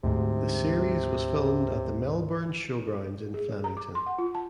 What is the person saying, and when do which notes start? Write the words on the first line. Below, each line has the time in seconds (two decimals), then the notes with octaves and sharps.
The series was filmed at the Melbourne Showgrounds in Flemington.
0.04 D2 G#2 C3
3.34 G#4
3.49 C#5
3.64 A#5
3.77 D6
3.95 C6
4.06 F#5
4.18 F4
4.35 A5